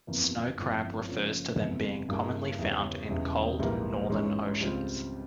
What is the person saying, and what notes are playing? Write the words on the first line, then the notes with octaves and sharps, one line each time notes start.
Snow crab refers to them being commonly found in cold northern oceans.
G1 F2 E3 A#3 E4
G1 G2 F3 C4 E4
C#3 F3 A#3 C#4 F4
G1 F2 C3 E3
G2 G3 A#3 E4 G#4
E2 C#3 G3 C#4
E1 E2 C#3 G3
A#1 G#2 E3 G3 A#3
G#2 E3 G#3 C#4
C#2 C#3 G3 C4 F4